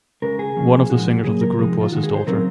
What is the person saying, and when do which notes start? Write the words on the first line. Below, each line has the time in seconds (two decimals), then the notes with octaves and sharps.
One of the singers of the group was his daughter.
0.22 C#3 G#3 C#4 A#4
0.39 G#4
0.56 F3 A#3 C#4
0.90 A#2 F3 G#3 D#4 F#4
1.24 C#3 F#3 A#3 G#4
1.41 A#4
1.58 C3 F3 G#3 D#4 G#4
1.81 F4
1.92 D#3 G#3 D#4 F#4
2.03 G#4
2.15 C5
2.27 C#3 F#3 C4 D#4 A#4